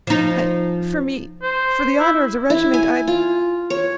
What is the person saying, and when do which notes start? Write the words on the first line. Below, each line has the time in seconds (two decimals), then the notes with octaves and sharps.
I... for me... for the honor of the regiment I'd...
0.07 F3 D#4
1.43 C5
1.99 E4
2.50 E4
2.74 G#5
3.08 F4
3.70 C#5